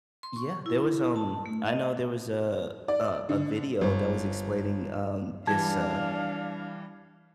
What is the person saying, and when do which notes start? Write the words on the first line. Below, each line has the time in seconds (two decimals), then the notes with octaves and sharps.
Yeah, there was, um, I know there was a a a video that was explaining, um, this, uh
0.23 C6
0.36 C#6
0.66 E4
1.16 A5
1.46 A3
1.66 D#5
2.88 D5
3.29 D3
3.81 G1
5.47 E3 G3 D4 F5 A5 G#6